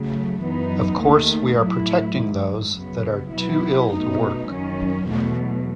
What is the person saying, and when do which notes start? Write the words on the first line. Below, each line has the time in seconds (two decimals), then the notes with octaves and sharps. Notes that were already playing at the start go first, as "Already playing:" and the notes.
Of course we are protecting those that are 'too ill to work'.
Already playing: C#3 F#3 A3
0.42 F#2 E3 B3 D#4
1.00 D#2 D#3 A3
1.59 A2 F#3 A3 E4
2.17 G#2 D#3 F#3
2.75 F#2 C#3 F#3 B3
3.33 B2 F#3 B3 E4
3.92 B2 A3 D#4
4.51 F#2 D#3 F#3 C#4
5.09 E2 B2 F#3 A3